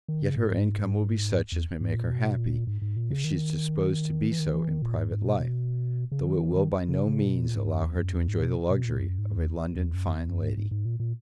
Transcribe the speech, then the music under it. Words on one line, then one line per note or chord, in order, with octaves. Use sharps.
Yet her income will be such as may make her happy, if she is disposed to be so in private life; though it will by no means allow her to enjoy the luxury of a London fine lady.
D#3
C#3
G#2
E2
G#2
A#2
B2
A#2
G#2
G#2
A#2
C#3
D#3
E3
D#3
E3
D#3
A#2
G#2
G#2
B2
B2
C#3
D#3
E3
D#3
C#3
C#3
A#2
B2
A#2
G#2
F#2
E2
F#2
E2
G#2
B2
B2
A#2
F#2
G#2
E2
E2
F#2
E2
F#2
G#2
G#2
G#2
A#2
A#2